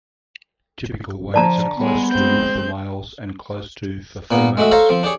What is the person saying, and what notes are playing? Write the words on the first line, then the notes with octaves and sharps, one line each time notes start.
Typical weights are close to for males and close to for females.
D3 F3 D5 A5 A#5
G3 G#3 B3
G#3 C4 G6
A#2 A#3 B3
G#3 A3 F#4 E5
A4 C5 C#5 F5 A#5
F3 C4
D4 G4 G#4 C#5